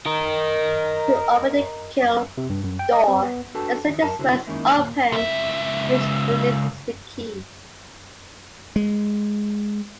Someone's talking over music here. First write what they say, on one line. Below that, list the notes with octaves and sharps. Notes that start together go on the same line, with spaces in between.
To open the kiln door, the switch is first opened, which releases the key.
A#4 D#5
C3
G2
F#2
G5
D#5
C4
B3
D4 F#4 A4 B4 G5 A5
E2 A2 D#3
F#2 A#4 A5
C2 D3 E4 F#4 C5
D#3 G#3 A#3 C#4 D#4 E4
D#2 A#2
C#2 E5
G#3